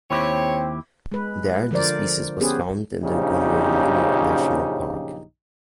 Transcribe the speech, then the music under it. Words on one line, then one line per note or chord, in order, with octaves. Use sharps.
There the species was found in the Gunung Mulu National Park.
D#2 C4 E4 G4 C#5
G#3 B4
D3 F3 A#4 C5 D5
B3 C#4 G4 G#4 B4 C5
A#1 F#2 C#3 F3 D#4 G4